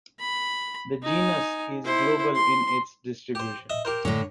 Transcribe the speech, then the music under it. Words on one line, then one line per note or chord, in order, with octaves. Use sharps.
The genus is global in its distribution.
B5
D#4 G#5
E4 C5
C6
G4 C5
D#5 E5
G4 A#4 C5
A2 D3 C#5